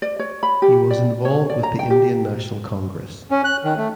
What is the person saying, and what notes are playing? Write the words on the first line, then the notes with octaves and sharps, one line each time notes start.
He was involved with the Indian National Congress.
D5
C#5
B5
G4
D5
C#5
D5
A#5
G5
G4
C#4
F#6
D#3
A3